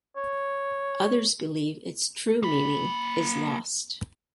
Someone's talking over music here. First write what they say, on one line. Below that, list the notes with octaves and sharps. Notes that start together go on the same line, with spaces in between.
Others believe its true meaning is lost.
C#5
A#3 B5